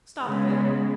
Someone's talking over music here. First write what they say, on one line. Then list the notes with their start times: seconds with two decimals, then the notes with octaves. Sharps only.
'Stop a bit.
0.24 C#3 G#3 B3